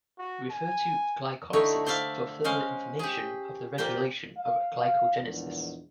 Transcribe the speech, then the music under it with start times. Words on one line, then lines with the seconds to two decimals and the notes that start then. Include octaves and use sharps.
Refer to glycolysis for further information of the regulation of glycogenesis.
0.18 F#4
0.51 G#5
1.53 D3 A3 D#4 E4 C#5
1.86 C5 D5 E5 F5
2.44 G#3 C#4 C5 F5
2.99 G4 G#4
3.78 A#2 A#3 G4 C5 G5
4.37 F5
5.22 A#1 E2 G#2